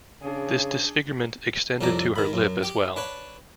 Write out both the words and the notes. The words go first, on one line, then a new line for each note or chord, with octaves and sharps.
The disfigurement extended to her lip as well.
C#3 D4 G#4
C2 F2 A2 D4 D5 A#5
D#3 B5
F#2
G4 G5
D4 B4 C#5